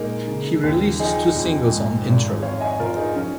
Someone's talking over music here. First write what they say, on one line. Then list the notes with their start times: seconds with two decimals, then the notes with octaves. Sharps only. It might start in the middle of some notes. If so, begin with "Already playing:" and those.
He released two singles on Intro.
Already playing: A#2 G#3 A#3 D#4
0.28 C#3
0.63 D#2
1.00 F3 D#4 G#4
1.36 F2
1.71 G#2
2.07 G#1
2.42 F2 C#5 F5
2.61 D#5 G#5
2.79 F1 F4 A#4
2.96 D#4 G#4
3.15 F3 C#4